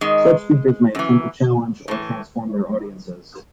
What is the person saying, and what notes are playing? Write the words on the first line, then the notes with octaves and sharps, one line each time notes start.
Such speakers may attempt to challenge or transform their audiences.
G#2 D#3 G#3
F#2 E3
A2 E3